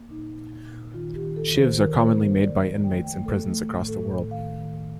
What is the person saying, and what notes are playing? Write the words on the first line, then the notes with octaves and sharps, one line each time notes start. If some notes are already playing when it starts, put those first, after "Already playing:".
Shivs are commonly made by inmates in prisons across the world.
Already playing: A#3
A#2 D#4
A#2
A#2
D#3 F4
G4
D#3
A4
D#3
C5
D#3 A#4
C5
A#3
C5
F2
D5
F3
G5
A3
G5
A3
A4
A3
A2
A4
A2
D#3 F5
D#3